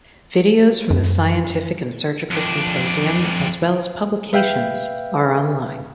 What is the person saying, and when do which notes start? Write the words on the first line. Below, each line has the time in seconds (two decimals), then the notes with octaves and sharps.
Videos from the scientific and surgical symposium as well as publications are online.
0.90 F#2
2.31 F2 D4
4.33 B4 E5 F5 G5 G6